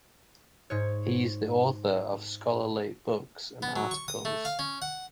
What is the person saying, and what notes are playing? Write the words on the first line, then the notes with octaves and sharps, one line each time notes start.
He is the author of scholarly books and articles.
G#2 C#5
B3
F#3
C#6
D#6
A3
F5
C#4
F#5